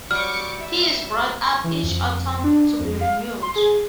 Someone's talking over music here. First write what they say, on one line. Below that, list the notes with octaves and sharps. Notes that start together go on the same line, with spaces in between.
He is brought up each autumn to be renewed.
F#3 G3 C#6 D6 F6 C#7
E5
E3
F2
D4
F2
F5
C6
G#4